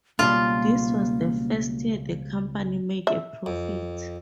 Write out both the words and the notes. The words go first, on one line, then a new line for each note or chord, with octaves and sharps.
This was the first year the company made a profit.
C#2 B2 G3 A#3 F4
E5
F2